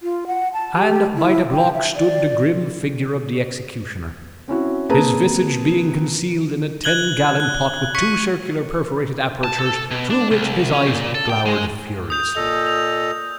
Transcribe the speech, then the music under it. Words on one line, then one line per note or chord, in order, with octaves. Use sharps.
Hand by the block stood the grim figure of the executioner, his visage being concealed in a tengallon pot with two circular perforated apertures through which his eyes glowered furiously.
F4
F#5
A5
G4
E4
G5
E5
D5
C4 C#4 E4 F#4
A#3 C4 G#4 B4 A5 A#5
F#6 G#6 F#7 G7
F#6
C#6 B6 C#7
A5
A4
B2
D4
C2
C#4
A#2
A4
G5
G#3
D#6 G6 F7
A#2 A4 D#5
F7